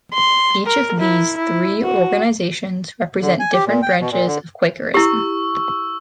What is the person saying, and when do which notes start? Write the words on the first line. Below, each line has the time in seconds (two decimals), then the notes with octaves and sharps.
Each of these three organizations represent different branches within Quakerism.
0.14 C6
0.67 A#4
1.00 E4
1.38 E4
1.84 F#4
3.22 D3
3.40 G#5
3.53 G4
3.66 A#2
3.82 G5
4.00 B2
4.12 A#2
4.27 D3
4.94 E4 G4 C#6 E6